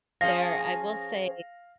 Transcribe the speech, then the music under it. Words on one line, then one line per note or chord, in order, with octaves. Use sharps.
There I will say
F3 C#4 G#4 F5 A#6